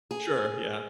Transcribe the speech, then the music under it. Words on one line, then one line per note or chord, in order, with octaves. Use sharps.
Sure, yeah.
G#4